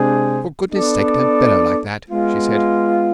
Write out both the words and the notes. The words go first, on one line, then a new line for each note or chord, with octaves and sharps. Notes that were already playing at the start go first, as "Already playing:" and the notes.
'For goodness' sake don't bellow like that!' she said.
Already playing: C3 G#3 D4 G#4 C5
B3 D4 A4 D5
G#3 B3 F4